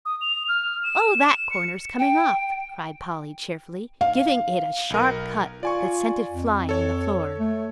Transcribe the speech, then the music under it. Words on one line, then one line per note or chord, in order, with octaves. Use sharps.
"Oh, that corner's coming off," cried Polly cheerfully, giving it a sharp cut that sent it flying on the floor.
D#6
F7
F6
E7
C#7
G5
F5
B1 A#4
F4 D5 G#5 C#6
F2
A4 C#5
A3